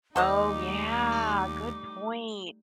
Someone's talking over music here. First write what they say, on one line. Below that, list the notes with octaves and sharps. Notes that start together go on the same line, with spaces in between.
Oh, yeah, good point.
D#2 G3 A3 D#4 A4 C5 D#5 D6